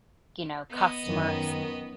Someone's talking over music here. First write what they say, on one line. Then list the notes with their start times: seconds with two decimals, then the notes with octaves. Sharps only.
you know, customer s
0.71 B3 D#5
1.06 F#2 D#3